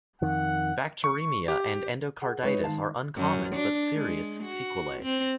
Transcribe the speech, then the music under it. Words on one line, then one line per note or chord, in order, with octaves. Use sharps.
Bacteremia and endocarditis are uncommon but serious sequelae.
F2 D#3 F#5
C#6
G4
G#4 F#5
G#3 D#4 B4 C#5
D#3 G#3 D#4 F5 A5
F#2
D4
G#3
F#4
C4